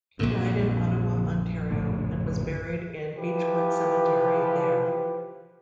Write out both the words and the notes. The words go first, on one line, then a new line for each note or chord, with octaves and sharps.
He died in Ottawa, Ontario and was buried in Beechwood Cemetery there.
A#1 F#2 A#2 D3 A#3
F#1 A2 D3
E3 F3 G4 B4